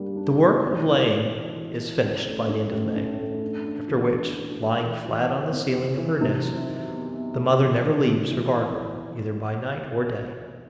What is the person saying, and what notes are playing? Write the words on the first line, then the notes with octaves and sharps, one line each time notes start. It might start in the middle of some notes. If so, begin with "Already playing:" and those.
The work of laying is finished by the end of May, after which, lying flat on the ceiling of her nest, the mother never leaves her guard-room, either by night or day.
Already playing: G3 A#3 D4
D4
B2
E4
E3
E4
E3
E3
E4
C#4
A3
C#4
A2
C#4
A3
D4
D4
E3
D4
D4
A3
E3
E3
C4
C4
C4
E3
C3
F#3
D#3
B3
B3
C3
E3
C3
C3
E3